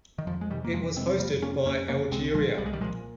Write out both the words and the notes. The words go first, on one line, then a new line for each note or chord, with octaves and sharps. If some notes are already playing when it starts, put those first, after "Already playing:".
It was hosted by Algeria.
D#3
F2 F3
G#3
C3 D#3 G3
A#3
F2 F3 G#3
C3 G#3 C4
F2 G3 A#3
C3 A#3 C#4
F2 A#3 C#4
C3 A#3 C#4
C2 G#3 C4
A#2 F3 G#3
C2 G3
G#3
D#3 G3
A#2 F3 G#3